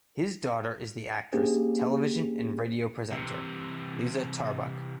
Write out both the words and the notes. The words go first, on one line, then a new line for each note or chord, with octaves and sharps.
His daughter is the actress, television and radio presenter, Liza Tarbuck.
A#3 C#4 D4 G4 G#4 C5
C3 E3